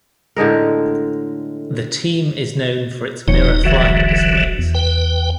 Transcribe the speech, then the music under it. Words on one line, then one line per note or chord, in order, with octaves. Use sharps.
The team is known for its mirror flying displays.
A2 D3 G#3 A#4
D#1 F3 D#4 C#5 C#7
A#1 D3 E3 F#3 F#4 E5
E2
B4 G5